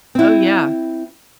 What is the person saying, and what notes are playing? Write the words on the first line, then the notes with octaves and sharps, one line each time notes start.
Oh, yeah.
C4 E4